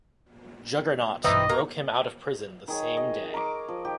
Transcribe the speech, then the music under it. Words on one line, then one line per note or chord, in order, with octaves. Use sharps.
Juggernaut broke him out of prison the same day.
B1 G2 E3 C4 D#4 D#5
A#3 A#5
D#3 G#4 C#5
D#5
A#4 A#5 C#6 D6
F3
D#3 G4